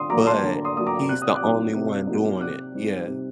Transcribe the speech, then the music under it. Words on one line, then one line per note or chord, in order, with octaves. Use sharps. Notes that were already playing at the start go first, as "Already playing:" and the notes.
but he's the only one doing it." Yes.
Already playing: D3 C6 D#6
F#3 A#3 A#5 D6
A5 C6
D3
C6 D#6
F#3 A#3 D#6
A#5 D6
C3 F#6
D#6
D6 F#6
F#3 A#3 D#4
C3
F#3 A#3 D#4
C3 D6 F#6
G3 C4 D#4
C3